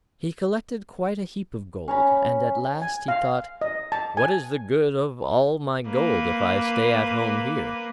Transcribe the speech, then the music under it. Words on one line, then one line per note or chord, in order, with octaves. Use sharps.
He collected quite a heap of gold, and at last he thought: 'What is the good of all my gold if I stay at home here?
C#4 A#5 B5
G#5
F5
D#5
A5
G#5
A#3 B4